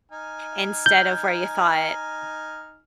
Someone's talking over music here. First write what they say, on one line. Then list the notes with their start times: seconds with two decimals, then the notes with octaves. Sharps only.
instead of where you thought
0.12 D#4 G#5 F6
0.86 G6